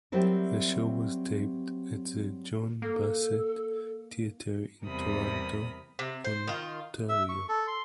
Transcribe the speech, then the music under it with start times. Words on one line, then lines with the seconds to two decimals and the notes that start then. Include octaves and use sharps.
The show was taped at the John Bassett Theatre in Toronto, Ontario.
0.12 F#3 G3 C4 E4 A#4
2.82 A#3 A4
4.85 E2 C3 G3 A#4 B5 D#6
5.99 C3
6.24 C5
6.47 D#3 F4
7.09 E5
7.29 C#6
7.49 A4
7.67 C6